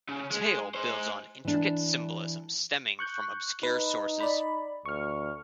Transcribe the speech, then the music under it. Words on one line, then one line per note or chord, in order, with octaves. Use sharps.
The tale builds on intricate symbolism stemming from obscure sources.
C#3
G#3
G#4 C5
E3 D4
C#6 F#6 G6
D#4 B4
D5 B5
D2 C#6 F6